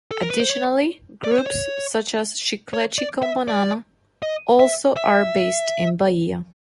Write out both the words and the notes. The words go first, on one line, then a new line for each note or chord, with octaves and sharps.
Additionally, groups such as Chiclete com Banana also are based in Bahia.
A4
A#4
B4
C5
C#5
D5
C#5
C5
C#5
C#5
D5
E5
D5
D#5
E5
E5